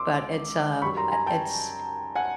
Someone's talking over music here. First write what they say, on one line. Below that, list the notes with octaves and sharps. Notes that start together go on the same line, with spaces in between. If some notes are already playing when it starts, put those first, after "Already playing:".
but it's, uh uh, it's
Already playing: C#2 C6 D6 E6
F#2 D#3 G3 B5 C#6
A#5 C6
G#5 A#5
G5 A5
F#5 G#5